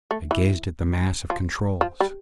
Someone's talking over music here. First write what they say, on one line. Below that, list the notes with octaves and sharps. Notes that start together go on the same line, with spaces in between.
I gazed at the mass of controls.
A3
E3
F3
F3
G3